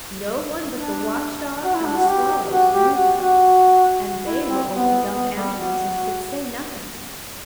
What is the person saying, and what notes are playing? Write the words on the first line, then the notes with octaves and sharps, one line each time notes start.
No one but the watchdog and the swallows knew her, and they were only dumb animals and could say nothing.
D4
F#4
E4
D4
F#4
G4
F#4
G4
F#4
F#4
E4
C4
B3
B3
G3
F#4